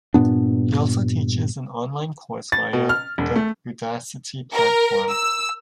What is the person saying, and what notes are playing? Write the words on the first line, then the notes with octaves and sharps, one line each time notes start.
He also teaches an online course via the Udacity platform.
G2 A#2 B3 D4
A6
B2
F6
E1
A3
A#4
E6